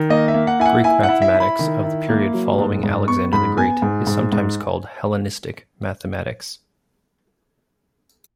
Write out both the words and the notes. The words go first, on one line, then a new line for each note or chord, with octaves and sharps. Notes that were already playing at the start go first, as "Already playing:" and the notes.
Greek mathematics of the period following Alexander the Great is sometimes called Hellenistic mathematics.
Already playing: D#3
A#3 D#5
E5
A#3
F#5
E4 G#5
F#5
E4 G#5
F#5
E4
E5
E4
B5
D#3
E4
A#3
F#3
G#2
G#2
B3 C#6
G#2 B5
B3 G#5
G#2
G#2
G#2